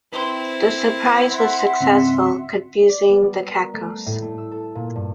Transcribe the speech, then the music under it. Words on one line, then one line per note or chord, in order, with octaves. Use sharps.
The surprise was successful, confusing the Cacos.
C4 E4 B4 C6
E5 F#5 C6
C#2 G#2 C4
D5
B3
G3
A#4
A3
C7
A2
A3
E6
A4
A#2
G2